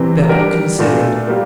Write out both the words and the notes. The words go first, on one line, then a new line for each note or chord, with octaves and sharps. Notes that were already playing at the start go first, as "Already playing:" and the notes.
Beppo considered.
Already playing: C3 E3 G3 C4
G3 D4 G4 A#4
A#2 A3 D4
G3 A#3